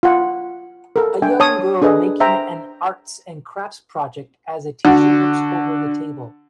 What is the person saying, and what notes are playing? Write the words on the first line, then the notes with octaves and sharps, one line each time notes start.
A young girl making an arts and crafts project as a teacher looks over the table.
F4 F#5
A4 A#4
D4 E5 G5 G#5
C#5 A5 D#6
D4 G#4 A4 B4 D#5
C5 E5 G5 A#5
D3 F#4